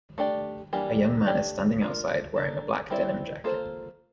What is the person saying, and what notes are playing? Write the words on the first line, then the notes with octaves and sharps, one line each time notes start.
A young man is standing outside wearing a black denim jacket.
A3 D4 G4 D5
E3 G3 A#3 D4 G4
A3 D4 G4 D5
D4 F4 A#4
A#3 D4 A4
G3 C4 E4 A#4 D5
A#3 F4 A4 C5